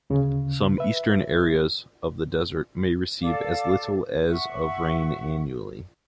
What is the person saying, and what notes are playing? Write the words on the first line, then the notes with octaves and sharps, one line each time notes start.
Some eastern areas of the desert may receive as little as of rain annually.
D2 C#3
B4 E5
A4 D5 F5 D6
E5 F#5 C#6